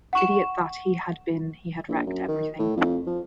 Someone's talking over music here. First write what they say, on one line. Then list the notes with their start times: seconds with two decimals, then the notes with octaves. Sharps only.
Idiot that he had been, he had wrecked everything!
0.13 F#5 C#6 E7
1.88 A#1
2.06 F#2
2.28 D#3
2.59 A2
2.76 F2
3.07 F3